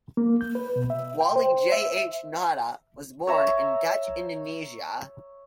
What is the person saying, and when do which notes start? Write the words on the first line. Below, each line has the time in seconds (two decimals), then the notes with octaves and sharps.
Walle J. H. Nauta was born in Dutch Indonesia.
0.17 A#3
0.41 G6
0.55 B4
0.76 B2
0.90 E5
1.21 G5
1.36 C5
1.72 E5
3.27 C#5 E5 A#5